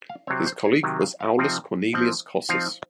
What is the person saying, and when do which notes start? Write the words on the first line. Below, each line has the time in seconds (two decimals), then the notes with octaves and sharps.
His colleague was Aulus Cornelius Cossus.
0.09 F5
0.27 C3 F#3 C4 C#5
0.46 C5
0.65 C#5
0.83 C3 D#3 F#3
1.01 F5
1.20 F5
1.38 C3 F3 C4 D#4
1.93 F3 C4 D#4
2.49 F3 C4 D#4 F5